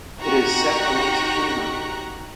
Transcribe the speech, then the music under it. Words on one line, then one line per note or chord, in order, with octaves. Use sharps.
It is set amongst greenery.
D#4 F#4 G4 A#5 C#6 F#6